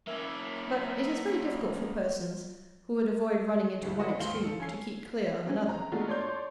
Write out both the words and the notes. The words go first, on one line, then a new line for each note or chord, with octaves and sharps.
But it is very difficult for persons, who would avoid running into one extreme, to keep clear of another.
A#3 C#4 E5
D2 G2 E4
F#4 A4 B4 D5 D#5
D#2 G#2 F5 C6 G7
A4
C#4 G#5 G#6 C7
C4 C#4
A#5
G#3 A3 B3 D4 F4 F#4
D4 C#5 D5 C6 G6